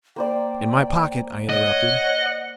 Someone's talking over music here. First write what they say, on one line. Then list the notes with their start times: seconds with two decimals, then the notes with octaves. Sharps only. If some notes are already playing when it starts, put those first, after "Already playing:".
"In my pocket!" I interrupted.
0.16 A#3 C5 D5 G5
1.50 C#5 D#5 F#5